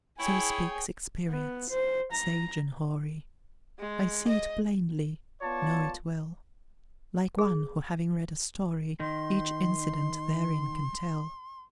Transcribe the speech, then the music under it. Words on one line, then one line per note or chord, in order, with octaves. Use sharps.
So speaks experience, sage and hoary; I see it plainly, know it well, Like one who, having read a story, Each incident therein can tell.
E4 G#4 C#5 G5 G#5
B3
C5
A#5
G#3
D#5
B3 F4 C#5 D5 A5
G#4
D#3 C6